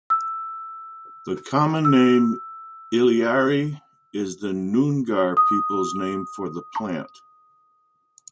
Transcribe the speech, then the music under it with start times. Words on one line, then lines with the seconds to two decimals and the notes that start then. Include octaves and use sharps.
The common name "Illyarrie" is the Noongar peoples name for the plant.
0.10 E6
1.85 E6
5.37 D#6